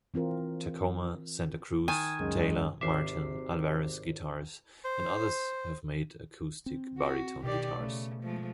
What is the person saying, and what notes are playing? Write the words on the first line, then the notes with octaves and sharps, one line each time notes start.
Tacoma, Santa Cruz, Taylor, Martin, Alvarez Guitars and others have made acoustic baritone guitars.
E3 C4 F4 A#4
D#3 G#5 A5
C#2 F#2 G#3
G#1 C3 E5 D6 C7
C5
C4
F#4
B2 D#3 G4 D5
C#3 A3
F3 G#3 A3